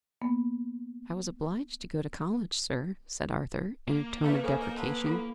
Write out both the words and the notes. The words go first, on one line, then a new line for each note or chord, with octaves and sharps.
"I was obliged to go to college, sir," said Arthur, in a tone of deprecation.
A#3 B3
A#3
A3 B4 F5 A#5
C#3 A4 C5 G#5
D#4 A#4
B3 C4 A5
E4 F4 A4